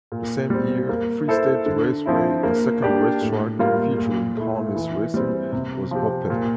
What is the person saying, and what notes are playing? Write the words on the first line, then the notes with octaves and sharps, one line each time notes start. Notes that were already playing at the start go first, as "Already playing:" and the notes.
The same year, Freestate Raceway, a second racetrack featuring harness racing, was opened.
A#2
G3 C4
A#3
E4 A4 C5
D3
F3 C4 E4
A#3
D4 G4 D5
A2
G3 A#3 F4
A#2
A3 E4
E3
G3 C4
C3
F3 C4 G4
A#2